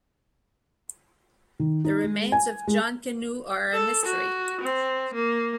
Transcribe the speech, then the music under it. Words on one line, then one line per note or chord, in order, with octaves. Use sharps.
The remains of John Canoe are a mystery.
D#3
D#4
G#3
G#5
G#3
A4
F#4
C4
A#3